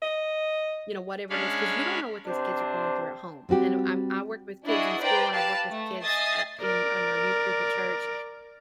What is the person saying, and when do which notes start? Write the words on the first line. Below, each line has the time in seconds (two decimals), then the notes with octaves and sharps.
you know, whatever it is 'cause you don't know what these kids are going through at home. I know, I'm I work with kids in school, and I've worked with kids, uh, in on our youth group at church,
0.02 D#5
1.30 G#3 C#4 D4 C#5 F5 B5
2.26 C3 D4 C5
3.49 G3 C4 F#4 G4
4.65 D4 E4 F#4 G#4 D#5
5.00 B4 C5 D5 G5 A#5
5.32 G4 B4 F5 A5
5.69 A3
6.03 D#5 E5 G#5 D#6 A6 C7
6.61 A#4 D5